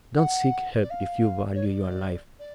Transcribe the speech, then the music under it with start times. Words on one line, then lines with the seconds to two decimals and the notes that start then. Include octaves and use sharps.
"Don't seek help if you value your life."
0.15 F#5
0.81 D5
0.90 F5
1.54 C#5
1.65 D5
2.39 D5